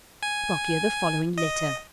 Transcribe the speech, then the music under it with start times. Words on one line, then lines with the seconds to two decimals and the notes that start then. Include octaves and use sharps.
Lockyer the following letter.
0.23 G#5
1.38 D#5